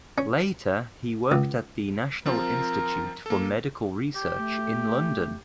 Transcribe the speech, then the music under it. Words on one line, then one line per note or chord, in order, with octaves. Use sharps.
Later he worked at the National Institute for Medical Research in London.
C#4
C#2
F3 C4 F4 A#4
A#3 A4
G4
A3